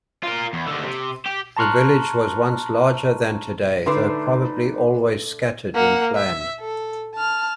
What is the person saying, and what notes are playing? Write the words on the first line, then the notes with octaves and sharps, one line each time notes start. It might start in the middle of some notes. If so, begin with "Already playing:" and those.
The village was once larger than today, though probably always scattered in plan.
F4 A#4
E2
D#2 D3
C3
G4
A5 A#5 C6 C#6 F6 F#6
D3 A3 D4 D#4 B4 C6
A#3 F#5
E5
A4
A5 F6